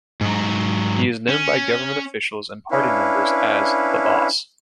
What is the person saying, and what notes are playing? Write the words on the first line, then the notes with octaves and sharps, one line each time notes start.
He is known by government officials and party members as "the Boss".
G#2 F#3
C#4
C#4 D4 E4 B4 F5